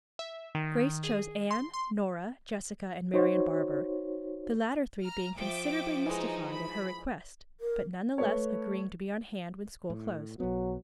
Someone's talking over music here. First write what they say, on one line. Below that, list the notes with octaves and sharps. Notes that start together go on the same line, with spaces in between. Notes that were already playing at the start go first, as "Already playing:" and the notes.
Grace chose Anne, Nora, Jessica and Marian Barber, the latter three being considerably mystified at her request, but nevertheless agreeing to be on hand when school closed.
E5
D#3
G#4
C6
C6
D#4 F#4 C5 C#5
A#5 F6
F3 E5 G5 D6
E3 G#3 D#4
B5
A#4
A3 B4 C#5
A2
B1 F#3 B3